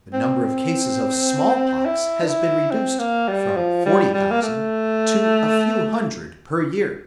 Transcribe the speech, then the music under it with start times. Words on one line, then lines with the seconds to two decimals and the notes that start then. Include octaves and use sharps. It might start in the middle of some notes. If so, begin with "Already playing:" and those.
The number of cases of small-pox has been reduced from forty thousand to a few hundred per year.
0.13 C4
1.86 E4
2.22 D4
2.28 E4
2.71 C4
2.99 A#3
3.28 G3
3.57 F3
3.85 G3
4.14 G3
4.31 A#3
4.43 A3